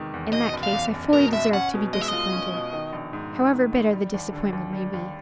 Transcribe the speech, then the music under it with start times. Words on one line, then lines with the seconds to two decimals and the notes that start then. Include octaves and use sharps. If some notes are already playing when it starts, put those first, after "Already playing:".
In that case I fully deserve to be disappointed, however bitter the disappointment may be.
Already playing: E2 C3 D#3 G#3
0.14 E2
0.33 B2 D#5
0.53 F#1
0.63 F5
0.73 E2
0.93 F#1
1.13 B2 A#4
1.33 F#1 E5
1.53 C#4 F#5
1.74 B2
1.93 G#3 D#5
2.01 E5
2.08 F4 D#5
2.33 C#4
2.54 B2
2.73 D#3
2.93 A#1
3.13 G#2
3.33 A#1
3.53 D#3
3.73 A#1
3.93 G3
4.14 D#2
4.33 D3
4.53 D#2
4.73 G3
4.93 D#2